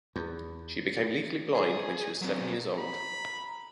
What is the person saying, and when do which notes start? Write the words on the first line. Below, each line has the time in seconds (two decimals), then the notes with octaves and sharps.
She became legally blind when she was seven years old.
0.16 E2
1.55 G#4
2.22 F#3 C4
2.78 A#5 B5